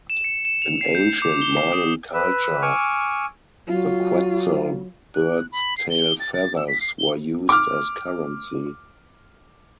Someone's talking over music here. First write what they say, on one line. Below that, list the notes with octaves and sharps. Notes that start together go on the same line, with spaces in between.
In ancient Mayan culture, the quetzal bird's tail feathers were used as currency.
E7
C#7
E7
F7
C7
G6
D6
G7
C7
D#6
B4 E6
G#5 C#6 D6 E6 F6
F#3 F4
F#6
B5
C7
G7
A6
A6
E6
B6
C7
G7
D6 F6